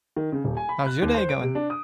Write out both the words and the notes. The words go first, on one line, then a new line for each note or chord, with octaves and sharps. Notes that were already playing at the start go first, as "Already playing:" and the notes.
How's your day going?
D#3
C#3
D#1
G#5
B5
F#6
D#2
C5
D7
C3
D4
D#6